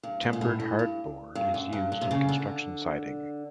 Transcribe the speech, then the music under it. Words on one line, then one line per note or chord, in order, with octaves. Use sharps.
Tempered hardboard is used in construction siding.
G2
G#2
A#2
A2
A2
G2
G2
F#2
G2
G2
C3
C#3
D3